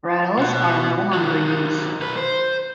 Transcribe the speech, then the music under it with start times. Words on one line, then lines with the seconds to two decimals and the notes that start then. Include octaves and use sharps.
Rattles are no longer used.
0.39 B2 B3
1.13 D#3 F#3
2.00 B1 B4
2.16 C5